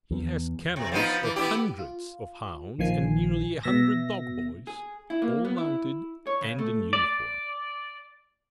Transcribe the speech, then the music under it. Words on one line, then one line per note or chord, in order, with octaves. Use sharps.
He has kennels of hundreds of hounds and nearly a hundred dog-boys--all mounted, and in uniform.
E2
C3
F3 B3 D#4
E3
B3 E4 G4
F4
A#1 D#3 F3 G#5 C7
B2 E5 A#6
G#4
E4
A#3
B3
E4
C#5
C#3
A3
D5